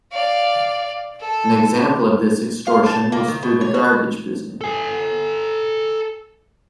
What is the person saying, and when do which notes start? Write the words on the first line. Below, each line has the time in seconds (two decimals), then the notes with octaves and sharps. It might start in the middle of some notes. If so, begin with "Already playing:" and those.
An example of this extortion was through the garbage business.
0.12 D5 F5
1.20 A4
2.67 F5
2.86 A5
3.12 A#3
3.28 D#3
3.43 B2
3.61 C#5
3.74 F#4
4.61 A4 G#5